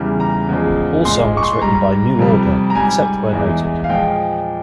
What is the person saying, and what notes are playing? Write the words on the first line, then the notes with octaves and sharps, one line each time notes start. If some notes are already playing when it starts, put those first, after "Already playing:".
All songs written by New Order, except where noted.
Already playing: E2 C#3 E3 G3
A#5
E2 C#3 F3 G#3
A#2 G#3 C6
C#6
C6
G#2 G3 A#5
F2 C3 G3
A#5
G#2 G3 G#5
E2 E3 G#3
F5
A#2 F3 G#3 G5